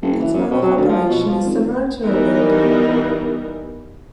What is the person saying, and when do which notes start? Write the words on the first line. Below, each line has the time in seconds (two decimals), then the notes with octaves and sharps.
Its mode of operation is similar to a railgun.
0.02 F#1
0.19 E3
0.34 F#2
0.51 B2
0.62 F#3
0.77 D2
0.89 F3
1.09 B2
1.26 F3
1.45 G#1
2.03 E3 G3 B3 D#4 A#4